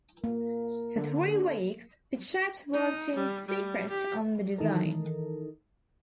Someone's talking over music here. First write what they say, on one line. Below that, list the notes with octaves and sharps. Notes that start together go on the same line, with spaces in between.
For three weeks, Pichette worked in secret on the design.
A#3 A#4
D3
D#4
G3
G3
G4
D#3 E3 D#4 A4 A#4